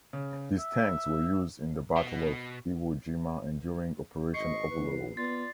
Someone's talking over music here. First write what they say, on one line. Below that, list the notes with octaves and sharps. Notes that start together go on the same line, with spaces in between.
These tanks were used in the Battle of Iwo Jima and during Operation Overlord.
C#3
E5
B2
G#1 D#5 C#6 C7
E2 B4
B3 F4 D5 A6